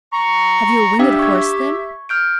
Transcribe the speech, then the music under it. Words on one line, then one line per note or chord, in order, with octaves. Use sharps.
"Have you a winged horse, then?"
A#5 C#6
D4 G4 E5 F5 G5
C#6 G#6
F6 G6 D7